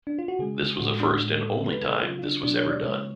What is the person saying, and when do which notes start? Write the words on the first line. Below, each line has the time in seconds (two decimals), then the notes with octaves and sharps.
This was a first and only time this was ever done.
0.07 D4
0.19 F4
0.28 F#4
0.39 C#3 G#3 G#4
0.80 A2 F3 G#3 F#4
1.00 D4
1.21 A2 G#3
1.41 A4
1.61 C#3 F3 G#3 A4
1.72 B4
1.82 A4
1.93 G#4
2.02 C#3 F#3 F4
2.19 F4
2.23 D4
2.43 B2 F#3 D4
2.56 C#5
2.70 D5
2.83 C#3 F3 G#3 C#5